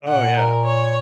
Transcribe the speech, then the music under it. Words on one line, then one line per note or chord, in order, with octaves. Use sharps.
Oh, yeah.
A#2 F#5
A#4
C#5